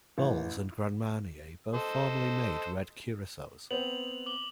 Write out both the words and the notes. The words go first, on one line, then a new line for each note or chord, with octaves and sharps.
Bols and Grand Marnier both formerly made red curacaos.
A1
A4 C5 D#5
B3 C4 F7 F#7
D6 F#7 G7